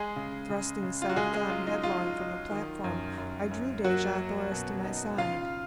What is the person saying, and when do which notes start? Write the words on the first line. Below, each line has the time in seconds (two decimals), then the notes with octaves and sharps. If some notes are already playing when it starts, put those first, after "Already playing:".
Thrusting Sab Than headlong from the platform, I drew Dejah Thoris to my side.
Already playing: G#3 G#4
0.16 C#3
0.49 C#3
0.83 C#3
1.02 F4
1.10 F#4
1.16 C#3 G#3 G#4
1.33 G#3 G#4
1.50 F#3 F4
1.67 D#4
1.83 F#3 F4
2.17 D#4
2.51 D#3
2.84 F#2
3.18 F#2
3.51 F#2
3.84 F#3 A#3 F#4
4.18 A#3
4.52 B2
4.85 D#4
5.18 C#3 F4 F5